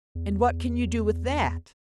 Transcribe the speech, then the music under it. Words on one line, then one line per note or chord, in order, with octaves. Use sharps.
"And what can you do with that?"
E2